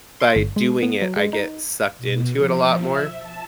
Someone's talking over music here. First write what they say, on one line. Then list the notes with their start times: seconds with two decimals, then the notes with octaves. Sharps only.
by doing it, I get sucked into it a lot more,
0.21 C6
0.36 G1
0.56 G#3
0.83 B3
1.02 F#3
1.17 G#3
1.33 D#4
1.98 B2
2.34 F3
2.77 E5
3.13 A5